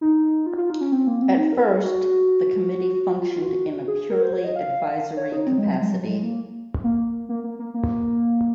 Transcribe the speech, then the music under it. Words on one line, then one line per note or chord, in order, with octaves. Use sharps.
At first, the committee functioned in a purely advisory capacity.
D#4
F4
F4
D#4
C#4
C4
A#3
C4
D#4
A#4
G#4
F#4
F4
F#4
G#4
A#4
C5
C#5
D#5
F5
C#5
D#4
C4
G#3
F#3
G#3
F#3
G#3
A#3
A#3
A#3
A#3
A#3
A#3